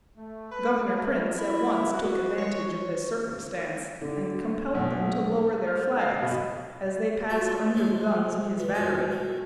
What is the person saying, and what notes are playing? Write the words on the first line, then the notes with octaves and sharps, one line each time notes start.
Governor Printz at once took advantage of this circumstance, and compelled them to lower their flags as they passed under the guns of his battery.
A3
B4
A3
E4
F#4
C#5
D3
B1
F6
F5
B2
G3 F4 F#4 E5
A2 C3 G#3 F5
A1 B3 B5
B1 F2 B3 C#4 A4 A#5
B2 A3